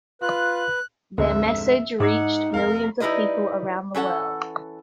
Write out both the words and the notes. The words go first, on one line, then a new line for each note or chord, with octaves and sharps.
Their message reached millions of people around the world.
F4 B4 F#6
F1 D2 G#2 D3 E5
G#2 D#4 F#5 D6 E6 G#6
F1 A#4 F5
G3 D#4 E4 A#4 B4 D#5
E3 C#4 A4 F#5